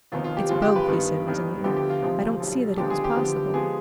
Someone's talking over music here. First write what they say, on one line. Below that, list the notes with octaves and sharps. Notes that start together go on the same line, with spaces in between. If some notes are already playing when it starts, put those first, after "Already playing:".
"It's both," he said resolutely: "I don't see that it was possible..."
F1 D#2 D#3 B3 F4
F4
G4
G1 G2 F3 G#3 F4
G4
B4
G2 D#3 B3
D#2 D#3 G3 B3
D2 D3 F3 B3 G4
G4
F4
F1 F2 C3 F3 G#3
B1 B2 G3
D#2 D3 F3 G#3 B3 G4
G#4
G4
D2 D3 F3 B3
F3 G#3 B3 G#4